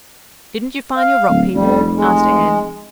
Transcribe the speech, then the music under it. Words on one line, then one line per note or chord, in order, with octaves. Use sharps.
"Didn't you find your Rock People?" asked Anne.
F5
D1
F1 F2 G3
G#3